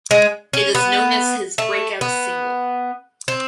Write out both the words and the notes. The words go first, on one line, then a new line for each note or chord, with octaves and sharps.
It is known as his breakout single.
G#3
C#4
B3
A3
B3
C4